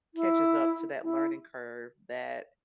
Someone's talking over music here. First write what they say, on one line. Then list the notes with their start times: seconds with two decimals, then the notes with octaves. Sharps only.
catches up to that learning curve that,
0.14 E4
1.03 E4